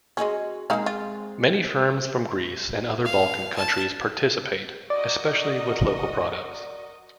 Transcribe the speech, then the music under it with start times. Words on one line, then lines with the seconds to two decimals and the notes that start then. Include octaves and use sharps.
Many firms from Greece and other Balkan countries participate, especially with local products.
0.17 G#3 C#4 F#4 G#4 D#5
0.70 G#3 A#3 C4 D#4 F5
0.86 F4
3.05 F5
3.56 A5
4.90 F#4 A#4 D5 D#5